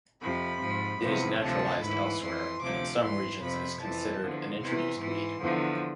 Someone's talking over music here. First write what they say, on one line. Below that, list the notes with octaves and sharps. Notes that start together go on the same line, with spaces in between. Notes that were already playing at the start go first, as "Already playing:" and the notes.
It is naturalised elsewhere, and in some regions is considered an introduced weed.
F2 C3 F3 B5
G#2 F3
E2 C3 F3
D2 C3 F3 A5
G#2 E3 B5
F2 E3 C6
D2 C3 F3 D6
G#2 E3 C6
F2 C3 F3 B5
F2 E3 A5
E2 D3 F3
E2 C3 E3 C6
G#2 E3
E2 D3 F3